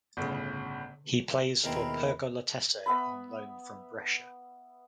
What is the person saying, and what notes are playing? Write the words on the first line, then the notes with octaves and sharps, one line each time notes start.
He plays for Pergolettese on loan from Brescia.
G1 A2 C#3
D#2 B2 G#3 C4 E4 A#4
B3 E5 B5